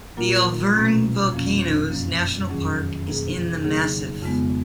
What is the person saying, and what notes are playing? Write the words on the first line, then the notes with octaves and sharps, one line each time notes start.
The Auvergne Volcanoes National Park is in the massif.
A#2 F#3 A#3 F4 A#4
B2 A#3 C#4
F2 F3 A#3 C#4
F#2 F3 A#3 C#4
F2 D#3 F#3 C#4 G#4
B2 A#3 C#4 G#4
C#3 F#3 A#3 D#4 G#4
F2 C#3 G#3 B3